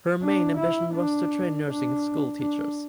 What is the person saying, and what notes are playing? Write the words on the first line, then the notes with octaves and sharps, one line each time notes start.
Her main ambition was to train nursing school teachers.
D4
E4
D4
D4
D4